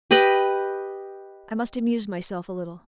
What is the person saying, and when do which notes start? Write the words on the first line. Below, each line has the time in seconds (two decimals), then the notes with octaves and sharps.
I must amuse myself a little.
0.11 G4 B4 D#5 B5